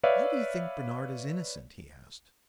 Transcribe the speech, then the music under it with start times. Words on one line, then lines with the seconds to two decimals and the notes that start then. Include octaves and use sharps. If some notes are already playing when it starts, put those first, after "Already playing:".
"Why do you think Bernard is innocent?" he asked.
0.03 B4 C#5 D5 E5 F5